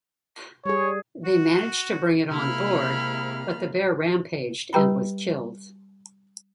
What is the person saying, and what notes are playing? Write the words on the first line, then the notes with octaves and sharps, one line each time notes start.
They managed to bring it on board, but the bear rampaged and was killed.
G3 G#4 C#5
F#4
C3 G#3 A#3 E4 B5 F6
G3 G4 B4 G5 A#5 B5